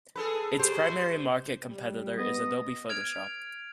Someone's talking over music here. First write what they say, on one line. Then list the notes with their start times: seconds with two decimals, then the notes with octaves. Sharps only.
Its primary market competitor is Adobe Photoshop.
0.16 G#4 A4 B4
0.59 G4 C5
1.68 G3
2.18 B3 D#5
2.89 F6 G#6 D7 F7